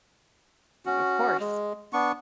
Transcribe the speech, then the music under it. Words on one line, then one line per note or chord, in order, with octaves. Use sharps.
Of course.
C#4 F#4
G#3
B3 D4 C#6